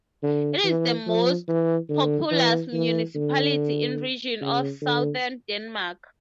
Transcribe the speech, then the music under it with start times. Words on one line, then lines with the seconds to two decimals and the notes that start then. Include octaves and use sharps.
It is the most populous municipality in Region of Southern Denmark.
0.22 D3
0.64 E3
1.06 F3
1.48 E3
1.89 D3
2.31 E3
2.73 E3
3.15 D3
4.41 C#3
4.82 D3